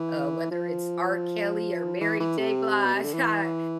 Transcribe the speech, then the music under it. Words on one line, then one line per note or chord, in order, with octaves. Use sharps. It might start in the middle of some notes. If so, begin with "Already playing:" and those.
uh, whether it's R. Kelly, or Mary J. Blige, I
Already playing: E3
F3
E3
E3
C3
B2
C3
D3
E3